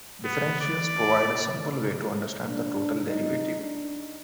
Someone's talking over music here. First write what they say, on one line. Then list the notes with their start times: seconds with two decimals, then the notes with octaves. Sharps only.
Differentials provide a simple way to understand the total derivative.
0.24 B3
0.61 D5
2.47 D4
3.08 D#4
3.62 D4